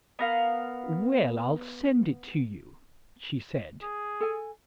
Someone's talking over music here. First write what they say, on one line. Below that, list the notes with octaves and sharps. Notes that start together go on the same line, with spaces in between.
"Well, I'll send it to you," she said.
B3 A#4 F5
G#4
A4 G#5